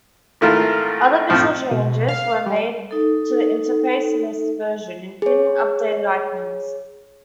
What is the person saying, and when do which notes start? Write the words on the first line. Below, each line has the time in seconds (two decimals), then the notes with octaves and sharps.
Other visual changes were made to the interface in this version, including updated icons.
0.41 G#1 A3 E4 F4 A#4
1.29 F2 A2 F3 C4
1.71 B2
2.08 F5
2.46 G3
2.91 D#4 A4
5.22 G#4 C#5